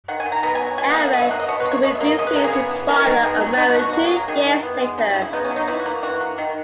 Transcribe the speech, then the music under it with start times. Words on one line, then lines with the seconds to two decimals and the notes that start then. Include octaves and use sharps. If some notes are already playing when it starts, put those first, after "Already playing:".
However, he predeceased his father, unmarried two years later.
0.08 D#3 F#5
0.20 G#5
0.26 D#3
0.32 A#5
0.43 B3 A#5
0.55 G#5
0.61 F#3
0.78 B2 G#5
0.90 F#5
0.96 A#3
1.02 E5
1.13 B2 D#5
1.22 E5
1.31 A#3 F#5
1.40 D#5
1.48 B2 C#5
1.60 B4
1.66 A#3
1.71 C#5
1.83 B2 D#5
1.95 E5
2.00 A#3
2.07 D#5
2.18 C#3 D#5
2.27 B4
2.35 C#3 A#4
2.44 G#4
2.53 B3
2.71 E3
2.88 D#3 A#4
3.00 A#4
3.06 D#3
3.11 A#4
3.23 B3 G#4
3.34 D#4
3.41 F#3
3.46 C#4
3.58 B2 D#4
3.70 F#4
3.76 B2
3.82 F#4
3.93 A#3 F#4
4.05 G#4
4.10 F#3
4.16 A#4
4.28 D#3 G#4
4.40 F#4
4.45 D#3
4.51 E4
4.63 B3
4.81 G#3
4.98 C#3 D#4
5.10 E4
5.16 C#3
5.22 E4
5.33 B3 D#4
5.45 C#4
5.51 F#3
5.56 D#4
5.68 E3 E4
5.80 F#4
5.85 A#3
6.03 E3 F#4
6.20 A#3
6.38 D#3